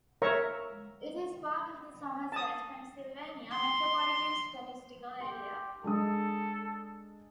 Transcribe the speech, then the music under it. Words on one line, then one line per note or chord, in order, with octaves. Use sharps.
It is part of the Somerset, Pennsylvania, Metropolitan Statistical Area.
A#4 C#5 E5 A#5 C#6
A5 D#6
C6
G4 C6
G#3 D4 A4 D#6